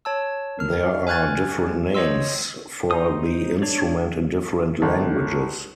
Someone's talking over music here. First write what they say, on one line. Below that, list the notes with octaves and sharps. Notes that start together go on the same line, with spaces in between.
There are different names for the instrument in different languages.
C#5 A5 E6
A#4 F6
G#5 F6 F#6 G#6 A6
C5 C#5 D#5 C6 E6
D#4 C5 D#6
D4 C#5 D5
G1